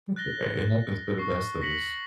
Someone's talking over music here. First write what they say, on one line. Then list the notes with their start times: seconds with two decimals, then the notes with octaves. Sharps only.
That's okay. It happens to the best of us.
0.16 F#6 A6 A#6 G7
1.18 C#6 C7
1.61 A#6 B6 C#7 F#7